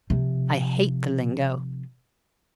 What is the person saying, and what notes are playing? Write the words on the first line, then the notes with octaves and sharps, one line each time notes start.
'I hate the lingo.
C3 F3